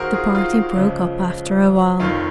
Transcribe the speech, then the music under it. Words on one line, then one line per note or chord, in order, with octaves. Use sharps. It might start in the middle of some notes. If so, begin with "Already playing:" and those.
The party broke up after a while.
Already playing: D#2 D#3 F#4 G#4 A#4 C5
F4 G#4
F4
C#2 C#3 F3
F1 D#2 D#3 F4